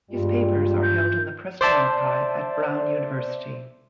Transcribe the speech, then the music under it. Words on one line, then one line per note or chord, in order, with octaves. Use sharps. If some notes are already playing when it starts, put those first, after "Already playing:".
His papers are held in the Preston Archive at Brown University.
G2 G3 G#3 F4
G6
C5 D5 E5 A5